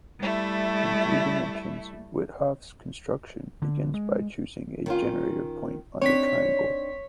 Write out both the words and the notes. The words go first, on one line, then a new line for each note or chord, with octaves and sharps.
In three dimensions, Wythoff's construction begins by choosing a "generator point" on the triangle.
G3 A3 E4
D3
G#3
D#3 C#4 F4
C4 D4 D#4 C#5 B6